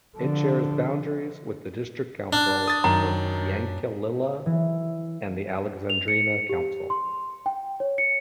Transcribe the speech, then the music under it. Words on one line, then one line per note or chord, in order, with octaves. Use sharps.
It shares boundaries with the District Council of Yankalilla and the Alexandrina Council.
D3 F3
D4 F6 F#6
D#6 A6
F#2 D#3 A#5
E3
F7
C#7
G4
C6
G5
C#5
C#7